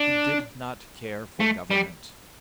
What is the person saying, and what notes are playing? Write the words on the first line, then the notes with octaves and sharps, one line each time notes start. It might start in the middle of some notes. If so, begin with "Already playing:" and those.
He did not care for government.
Already playing: D4
A3
G3